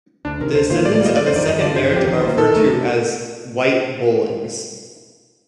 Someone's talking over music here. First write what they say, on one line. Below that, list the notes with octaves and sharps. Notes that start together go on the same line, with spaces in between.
The descendants of his second marriage are referred to as "White Bollings".
D2 D4
C3 D#3 A#4
D#2 C5
D#3 A#3 F4 C5
A2 D5
D5
G3 A#3 F4 D#5
F2 D5
C5
D#3 G3 D5
G2 D#5
D3 G3 D4 F4 D5
G2 C5
F3 C4 G4
D#3
A#3 F4 C5
A#2 A4
A3 D#4 A#4 D#5
C3